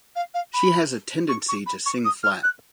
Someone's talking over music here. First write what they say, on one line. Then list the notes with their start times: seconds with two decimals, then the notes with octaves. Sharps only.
She has a tendency to sing flat.
0.16 F5
0.34 F5
0.54 B5
1.29 C#6
1.49 C#6
1.66 B5
1.86 C#6
2.05 D#6
2.23 F6
2.43 F#6